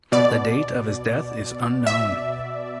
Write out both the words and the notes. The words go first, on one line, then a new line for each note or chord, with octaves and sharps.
The date of his death is unknown.
B2 D5
E5